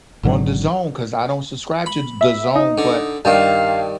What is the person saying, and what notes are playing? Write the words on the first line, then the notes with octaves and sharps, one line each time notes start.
on DAZN 'cause I don't subscribe to DAZN, but
G#1 G#2 D3 F#3
B5
E5
D#4
D3
G2 D#3 G3 F5